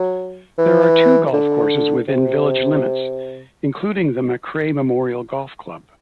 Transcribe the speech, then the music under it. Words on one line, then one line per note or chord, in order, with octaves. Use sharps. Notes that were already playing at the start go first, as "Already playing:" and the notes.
There are two golf courses within village limits including the Makray Memorial Golf Club.
Already playing: F#3
E3
D3
C3